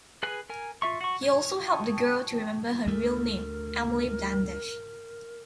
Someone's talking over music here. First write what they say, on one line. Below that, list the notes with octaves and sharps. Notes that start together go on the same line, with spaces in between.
He also helped the girl to remember her real name: Emily Blandish.
G#4 B4 G#5 F#6
A#4 G#5
F4 E5 C#6
F#4 C#6
C#5
G5 A5 C#6 D#6 G#6
D2 A3 A#4